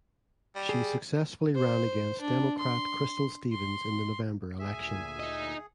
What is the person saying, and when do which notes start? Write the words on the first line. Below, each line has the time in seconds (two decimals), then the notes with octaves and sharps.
She successfully ran against Democrat Crystal Stevens in the November election.
0.55 G3
0.69 G#4
1.55 C5
2.21 D4
2.59 C6
3.52 C6
4.60 D2 A#2 G#4 E5 G#5
5.20 D#4 D#5